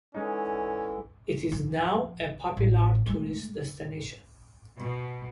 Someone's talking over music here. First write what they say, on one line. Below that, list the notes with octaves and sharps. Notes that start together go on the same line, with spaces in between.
It is now a popular tourist destination.
D3 E3 G#3 C#4 D#4
F3
A1
G#3 A3
B2